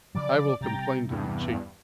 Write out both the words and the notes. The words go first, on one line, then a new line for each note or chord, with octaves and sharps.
I will complain to the Chief.
C#3 F3 F#3 D5 D6
C3 G3 G5 A#5 A6
E2 G2